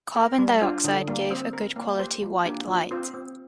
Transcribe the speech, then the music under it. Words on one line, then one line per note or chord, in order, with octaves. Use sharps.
Carbon dioxide gave a good quality white light.
A#4
G3
D4 F4 C5
D3
G3 A#3
C4
A#4
A#3
G4 C5
F3
A#3 D4 G4
F3
C4 F4 C5
C4